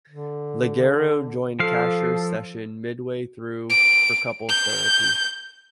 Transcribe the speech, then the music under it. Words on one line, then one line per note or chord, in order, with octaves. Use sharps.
Leggero joined Kasher's session midway through for couples therapy.
D3
F3 A4 F5
D7
G6